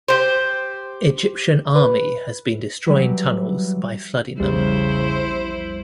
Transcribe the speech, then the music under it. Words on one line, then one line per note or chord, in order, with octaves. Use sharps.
Egyptian Army has been destroying tunnels by flooding them.
G4 C5
B4
E3 F#3 G3
A#1 E2 C#3 G3 E4 C5